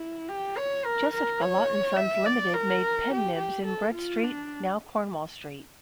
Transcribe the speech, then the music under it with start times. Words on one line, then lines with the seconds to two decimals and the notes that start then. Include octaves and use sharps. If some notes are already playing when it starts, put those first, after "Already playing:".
Joseph Gillott and Sons Limited made pen nibs in Bread Street, now Cornwall Street.
Already playing: E4
0.28 G4
0.57 C#5
0.85 A#4
1.13 A#4
1.41 C#5
1.97 E5
2.26 D5
2.53 A#4
3.10 G4
3.38 G4
3.66 A4
3.94 F4
4.23 D4